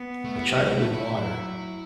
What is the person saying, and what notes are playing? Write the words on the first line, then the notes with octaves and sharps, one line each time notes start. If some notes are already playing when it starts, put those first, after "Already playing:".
A child in water.
Already playing: B3
A3
E4
G4
F#4
A3 E4
E4
F#3 E4